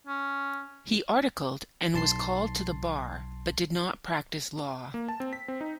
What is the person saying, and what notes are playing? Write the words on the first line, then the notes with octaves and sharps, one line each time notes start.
He articled and was called to the Bar, but did not practice law.
C#4
B1 A5 C6 C7
A#3
A5
C4
B6
C4
D#4